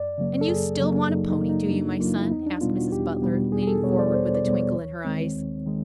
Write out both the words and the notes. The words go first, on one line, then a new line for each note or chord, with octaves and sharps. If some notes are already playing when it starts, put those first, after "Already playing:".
"And you still want a pony, do you, my son?" asked Mrs. Butler, leaning forward with a twinkle in her eyes.
Already playing: F#2 D5
C#3 F#3 A#3
A4
F#2 G#4
C#3 F#3 A#3
F#2 D#4
D#4
C#3 F#3 A#3
D#4
F#2 D4
C#3 F#3 A#3 F4
E4
E2 D#4
D4
B2 G3 B3 F4
F#4
E2 G4
B2 G3 B3
E2 G#4
G#4
A4
B2 G3 B3 C#5
D5
E2 C5
D5
B2 G3 B3
C#5
D#2
D#3 G#3 C4
D#2
D#3 G#3